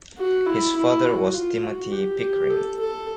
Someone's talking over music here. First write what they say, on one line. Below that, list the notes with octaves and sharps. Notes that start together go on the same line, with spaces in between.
His father was Timothy Pickering.
F#4
E4
E4
F#4
F4
F#4
G4
G4
A4
A4